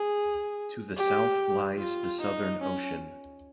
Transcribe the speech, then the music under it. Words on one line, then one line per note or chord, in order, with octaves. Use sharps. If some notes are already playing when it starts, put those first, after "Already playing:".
To the south lies the Southern Ocean.
Already playing: G#4
G4
F4
D#4
C#4